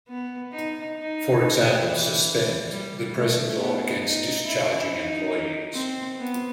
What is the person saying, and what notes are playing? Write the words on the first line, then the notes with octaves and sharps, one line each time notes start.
For example, suspend ... the present law against discharging employees.
B3
D#4
D#4
E3
G3
A3
B3
D#4
E4
D#4
C4
B3